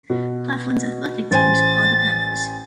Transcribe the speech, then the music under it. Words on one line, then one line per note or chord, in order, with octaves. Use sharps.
Claflin's athletic teams are the Panthers.
B2
A1 C5 G#5 A6